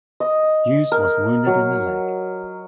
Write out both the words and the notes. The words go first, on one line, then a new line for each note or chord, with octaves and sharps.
Hughes was wounded in the leg.
D#5
A#4
F#3